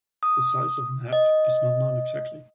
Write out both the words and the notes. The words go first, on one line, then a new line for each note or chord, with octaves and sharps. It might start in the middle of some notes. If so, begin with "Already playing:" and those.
The size of Mab is not known exactly.
D#6
D#5